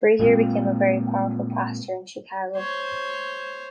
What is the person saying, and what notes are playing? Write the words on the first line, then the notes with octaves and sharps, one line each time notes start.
Brazier became a very powerful pastor in Chicago.
A#2 G#3 A#3 C4
C5 C#5